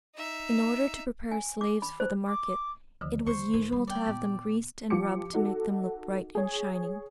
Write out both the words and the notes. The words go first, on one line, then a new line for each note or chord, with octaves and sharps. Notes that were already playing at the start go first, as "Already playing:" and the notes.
In order to prepare slaves for the market, it was usual to have them greased and rubbed to make them look bright and shining.
D#4 E5
G#5
D6
B5
C5
D6
D2 D3 D#3 F3
D#2 C5 C#6
G#2 A#4
G3 B3 B5
D5 G5
A#2 B3
F3 F4 G4 D6 C#7
D#4 F#4 A4
G#4 C#5